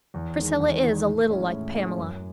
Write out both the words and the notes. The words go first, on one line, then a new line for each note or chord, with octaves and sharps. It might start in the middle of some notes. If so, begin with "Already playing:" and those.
"Priscilla is a little like Pamela."
E2
D#3 G#3
E2
D#3 G#3
A2
G#3 C#4 E4
A2
G#3 C#4 E4
F#2